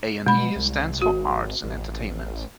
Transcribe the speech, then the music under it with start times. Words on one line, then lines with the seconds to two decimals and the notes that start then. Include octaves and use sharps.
"A and E" stands for "Arts and Entertainment".
0.26 B2 G#3 B5
0.56 C2
1.02 G#1 F#4
1.63 A1